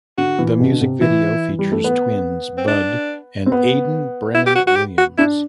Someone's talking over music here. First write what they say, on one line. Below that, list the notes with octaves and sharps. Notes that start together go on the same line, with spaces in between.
The music video features twins Bud and Aidan Brennan Williams.
D3 F#4
E3
B2
D3
C3
E3 E4
G3
A3
B3
C4
D4
C4
B3
E4
G4
F#4
F#4
G4
F#4
D4 E4